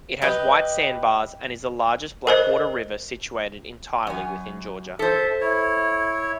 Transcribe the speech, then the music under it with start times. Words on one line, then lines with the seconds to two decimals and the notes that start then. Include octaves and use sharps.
It has white sandbars and is the largest blackwater river situated entirely within Georgia.
0.22 G4 B4 D#5
2.27 A#4 C5 D#5
4.07 F#2 G#5
4.99 A4 C5 E5 A5
5.41 E4 C#5